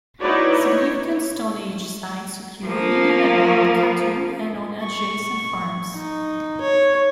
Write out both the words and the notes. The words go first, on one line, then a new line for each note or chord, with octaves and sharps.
Significant Stone Age sites occur in and around Kathu and on adjacent farms.
D#4 E4 F#4 B4 C#5 D5
C#5
F3 A#3
C#6
D#4
C#5